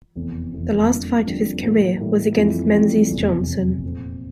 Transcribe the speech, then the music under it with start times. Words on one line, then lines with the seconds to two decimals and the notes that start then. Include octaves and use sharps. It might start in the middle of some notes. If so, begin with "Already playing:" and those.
The last fight of his career was against Menzies Johnson.
0.15 F1 E2 E3 A3 C4
0.52 F1 E2 E3 A3 C4
0.89 F2 D3 G3 A#3 D4
1.25 F2 D3 G3 A#3 D4
1.62 A2 E3 G3 A#3
1.99 A2 E3 G3 A#3
2.36 F2 E3 G3
2.73 F2 E3 G3
3.10 F1 E2 C3
3.46 F1 E2 C3
3.83 A#2 A3 C4